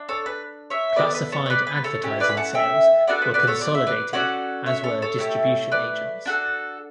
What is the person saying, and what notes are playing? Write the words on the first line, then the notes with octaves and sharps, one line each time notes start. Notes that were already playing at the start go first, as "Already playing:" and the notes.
Classified advertising sales were consolidated, as were distribution agents.
Already playing: D4
A4 C#5
B4
C#5 E5
B3 F#4 B4 D5
A4
B4
A4 C#5
C#5
B4 D5
B4
A4 C#5
A3 C#4 E4 G4
B4 D5
B5
F#5 A5
E5 G5
B3 D4 F#4 A4 D5 F#5
B4
B4 D5
A4 C#5
D5
E5
B4 D5
C#4 F#4 A4 D5 F#5
C#5 E5
A4 C#5
A4 C#5
A3 E4 G4
B4 D5
D4 F#4 A4